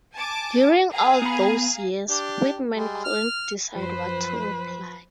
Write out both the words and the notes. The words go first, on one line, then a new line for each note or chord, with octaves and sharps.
During all those years, Whitman couldn't decide what to reply.
G#5 A5 D6
G#4 F5 A#5
B3 B5
D4 G4
G3 G#3
F6
F#2 F3 B4 C5